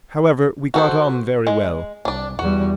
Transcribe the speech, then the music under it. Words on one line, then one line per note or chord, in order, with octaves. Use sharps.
However, we got on very well.
F#4 A4 C5
G#3
C2 D4 D5
E2 G3 F#4